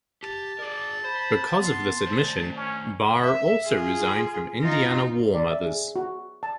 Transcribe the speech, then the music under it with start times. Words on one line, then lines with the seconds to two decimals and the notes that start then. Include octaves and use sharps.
Because of this admission, Barr also resigned from Indiana War Mothers.
0.23 G4 A5
0.59 G#4 A#4 D5
1.04 C5 B5
1.60 B3 C6
2.06 D#3 A3 C5
2.56 C#4
3.22 E5
3.66 F4 G#4
4.61 D#4 F4
5.34 D5
5.51 E5
5.66 G#4
5.96 F#4
6.43 A5